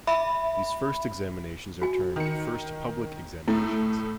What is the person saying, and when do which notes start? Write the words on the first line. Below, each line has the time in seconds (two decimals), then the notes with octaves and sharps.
These first examinations are termed "First Public Examinations".
0.07 E5 B5
1.82 F#4 G#5
2.16 D#3 C#7
3.48 A2 A3 E4